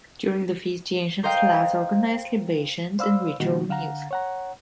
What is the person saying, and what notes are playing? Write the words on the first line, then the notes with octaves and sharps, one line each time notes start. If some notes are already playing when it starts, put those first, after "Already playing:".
During the feast the ancient Slavs organized libations and ritual meals.
A#4 C5 D#5 F5 G5
C5 D5 F5 B5 E6
B2 D#3 G3 A#3 D#4 F#4
D3 F5 F#5 A#5
C#5 F#5 A#5